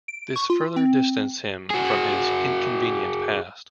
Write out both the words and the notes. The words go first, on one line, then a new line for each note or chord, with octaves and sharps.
This further distanced him from his inconvenient past.
D7
C#6
F4
C4
F#4 G#4